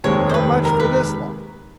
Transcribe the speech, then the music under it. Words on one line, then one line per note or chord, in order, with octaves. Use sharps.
How much for this lot?
F1 D#2 D#3 G#3 C4 C#5
C5
B4
A#4
B4